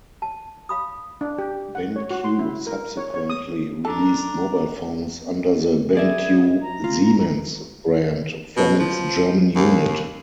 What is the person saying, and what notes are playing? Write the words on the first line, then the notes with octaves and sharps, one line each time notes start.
BenQ subsequently released mobile phones under the BenQ-Siemens brand, from its German unit.
A5
F5 B5 D#6
D4
G4
F#5
C#5
F#4
C6
E4
A#4
C#5
C#5
D#6
D4 A4 A#5
E4 G#4 D5 E5 D#6 G#6
A#5
F4
B2
F3
D#2